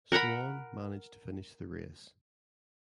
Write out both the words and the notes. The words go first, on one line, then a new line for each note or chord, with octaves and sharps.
Swan managed to finish the race.
A#4 F#5 A#5 B5